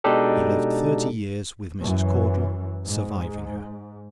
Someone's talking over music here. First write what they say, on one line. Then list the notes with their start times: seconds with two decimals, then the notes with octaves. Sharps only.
He lived thirty years with Mrs. Caudle, surviving her.
0.04 B2 G#3 D4 D#4 G4 A4
1.83 F#2 E3
2.86 G#2